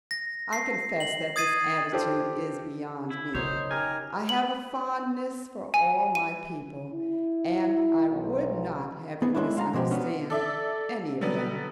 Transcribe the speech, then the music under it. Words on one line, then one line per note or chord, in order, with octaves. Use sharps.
I confess that this attitude is beyond me; I have a fondness for all my people, and I would not have you misunderstand any of them.
A#6
C7
F#7
D#6 G#6 A6 C7 D#7
D4 F4 G4 A4 C5
E4
F#2 C#3 D#4 C5 C#5
G4 A#4 G#5
F#7
G#5
D#7
E4
B1
B3 G#4
G#3 A#3 C#4 D4 E4
G#3 F5 A5 A#5
B2 F3 G#3 G4
B3 C#4 D4
A4 D5 E5
D3 F#3 G3 B3